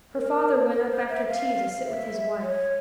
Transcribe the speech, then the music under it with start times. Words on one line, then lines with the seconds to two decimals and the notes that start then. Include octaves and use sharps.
Her father went up after tea to sit with his wife.
0.14 A#4
0.72 A#4
0.90 C5
1.09 E5
1.28 F5
1.84 E5
2.41 C#5